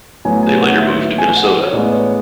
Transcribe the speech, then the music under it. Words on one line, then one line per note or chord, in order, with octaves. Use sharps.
They later moved to Minnesota.
A1 A2 F#3 B3 G#5
G#5
F#5
E5
E5
G#5
F#5
C#5
A1 A2 G#3 B3 D5
C#5